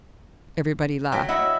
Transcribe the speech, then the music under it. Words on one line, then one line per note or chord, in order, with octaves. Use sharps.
Everybody laughed.
F#3 G5 B6
E4 D#5 E5 F#5